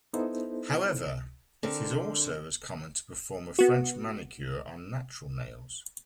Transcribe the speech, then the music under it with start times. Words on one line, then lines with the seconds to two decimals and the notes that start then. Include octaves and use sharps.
However, it is also as common to perform a French manicure on natural nails.
0.13 B3 D#4 E4 A4 C5
1.63 D3 C4 A#4 C5
3.59 B3 F#4